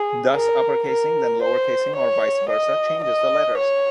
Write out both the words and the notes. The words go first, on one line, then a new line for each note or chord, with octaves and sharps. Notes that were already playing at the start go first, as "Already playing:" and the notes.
Thus uppercasing then lowercasing, or vice versa, changes the letters.
Already playing: G#4
A#4
A#4
C5
C#5
D#5
D#5
C#5